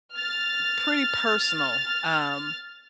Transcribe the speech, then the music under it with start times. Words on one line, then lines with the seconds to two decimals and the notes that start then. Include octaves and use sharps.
pretty personal, um
0.13 F6 A6